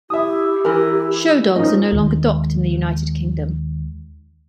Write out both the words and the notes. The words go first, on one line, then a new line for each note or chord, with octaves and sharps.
Show dogs are no longer docked in the United Kingdom.
E4 G4 E5 D#6
E3 E4 A#4
G#2 F3 C#4 D#4 A#4 D#5
D#2 D#3 G#3